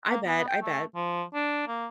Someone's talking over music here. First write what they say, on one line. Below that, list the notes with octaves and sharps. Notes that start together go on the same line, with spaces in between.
I bet, I bet.
A#3
B3
G5
A3
F3
D4
A#3